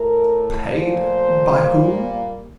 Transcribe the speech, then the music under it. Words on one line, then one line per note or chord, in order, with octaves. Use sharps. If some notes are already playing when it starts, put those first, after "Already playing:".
"Paid, by whom?"
Already playing: A2 A3 A#4
A#2 F3 A3 C5
A#2 G3 A#3